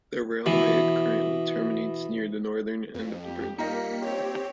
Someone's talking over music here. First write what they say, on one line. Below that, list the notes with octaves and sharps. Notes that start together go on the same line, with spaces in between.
The railway currently terminates near the northern end of the bridge.
B2 E3
F2
G4
G3 A#3 D#4 F4 D#5 B6 C#7
C4 G4 C#5